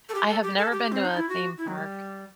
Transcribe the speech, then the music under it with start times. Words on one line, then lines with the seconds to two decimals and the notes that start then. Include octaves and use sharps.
I have never been to a theme park.
0.09 A4
0.15 G4
0.29 A4
0.43 G4
0.58 A4
0.72 G4
0.92 C4
1.05 D#4
1.17 E4
1.29 F#4
1.58 E4
1.68 F#3
1.77 G3